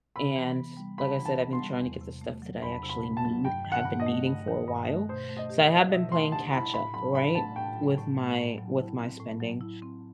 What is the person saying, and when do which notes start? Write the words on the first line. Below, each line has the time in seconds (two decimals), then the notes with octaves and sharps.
and like I said, I've been trying to get the stuff that I actually need, have been needing for a while, so I have been playing catch-up, right, with my with my spending,
0.16 C3 B5
0.36 E3
0.56 B3
0.77 G3
0.98 C3 B5
1.19 E3
1.25 A5
1.39 B3
1.53 C6
1.60 G3
1.81 E2
2.01 C3
2.21 A3
2.42 F#3
2.62 E2 B5
2.83 C3
2.89 B5
3.04 A3
3.17 A5
3.25 F#3
3.45 G2 G5
3.65 D#3
3.72 F#5
3.85 G2
4.00 D#5
4.06 A3
4.27 G2
4.47 D#3
4.68 G2
4.89 A3
5.09 B2 C5
5.29 A3
5.37 D#5
5.50 G4
5.64 D#5
5.70 E4
5.91 B2 E5
6.12 A3 C6
6.32 G4 A5
6.52 E4 B5
6.73 A2 B5
6.94 F#3 B5
7.14 A2 B5
7.35 A3 A5
7.56 A2 G5
7.76 F#3
7.97 A2
8.17 A3
8.38 A2
8.58 F#3
8.80 E4
8.99 C4
9.20 A2
9.40 F#3
9.61 E4
9.82 C4